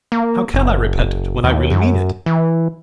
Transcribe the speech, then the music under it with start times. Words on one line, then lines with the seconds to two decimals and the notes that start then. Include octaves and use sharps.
How can I repent it when I really mean it?
0.12 A#3
0.54 F#1
1.44 D#2
1.72 F#2
2.26 E3